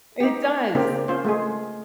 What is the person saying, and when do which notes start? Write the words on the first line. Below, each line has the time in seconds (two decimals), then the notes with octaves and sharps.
It does.
0.20 D#4 G4
0.75 C#3 A#3 C4 D4 G4
1.08 C#4 F4 C5
1.25 G#3 A3 G#4